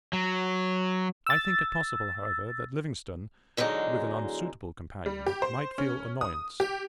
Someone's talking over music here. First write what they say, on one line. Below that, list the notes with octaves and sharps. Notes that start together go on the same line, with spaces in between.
I think it possible, however, that Livingstone, with an unsuitable companion, might feel annoyance.
F#3
E6 A6
E2 D3 F#3 G#3 D#4
G3
G4
C5
C#4
D#6
G4